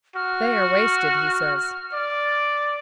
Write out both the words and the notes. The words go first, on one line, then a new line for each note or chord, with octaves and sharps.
"They are wasted, he says."
F#4 F6
D5